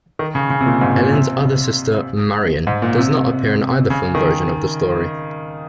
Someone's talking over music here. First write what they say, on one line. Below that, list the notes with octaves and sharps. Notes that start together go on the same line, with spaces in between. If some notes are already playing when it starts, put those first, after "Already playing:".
Ellen's other sister, Marion, does not appear in either film version of the story.
D#3
C#3
C#3
C3
A#2
G#2
A#2
C3
G#2
A#2
C3
C#3
D#3